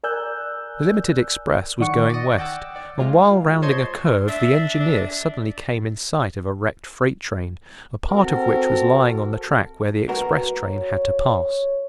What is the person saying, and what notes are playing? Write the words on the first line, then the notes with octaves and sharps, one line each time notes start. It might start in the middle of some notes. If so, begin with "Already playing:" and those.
The limited express was going west, and while rounding a curve the engineer suddenly came in sight of a wrecked freight train, a part of which was lying on the track where the express train had to pass.
A#4 D5 G#5 E6 F#6 G6
D#3 D5 F#5 C#6 C#7
D5 D#5
F#5 G5 D6 E6
D5
G#3 F4
C5 C#5 D#5 A5 C6 G#6
D4 E5
D4
C4 F#4 A4 A#4
F#4 A#4 B4
C#5